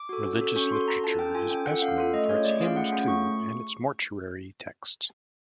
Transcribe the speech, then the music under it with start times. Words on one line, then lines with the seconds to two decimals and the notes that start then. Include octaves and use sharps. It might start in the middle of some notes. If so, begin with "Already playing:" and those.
Religious literature is best known for its hymns to and its mortuary texts.
Already playing: D6
0.09 F#4 A4
0.25 C#4
0.41 F#4 A4
0.56 C#4 C#6
0.72 F#4 A4 C6
0.88 C#4 A#5
1.03 F4 A4 A5
1.19 C#4 G5
1.35 F4 A4 G#5
1.50 C#4 G5
1.66 F4 A4 F#5
1.82 C#4 F5
1.98 F4 A4
2.14 A3 D#5
2.29 C#4 F4 G#4 C#5
2.45 A3 D5
2.61 C#4 F4 G#4 F5
2.76 A3 F#5
2.92 C#4 F4 G#4
3.08 A3 C#6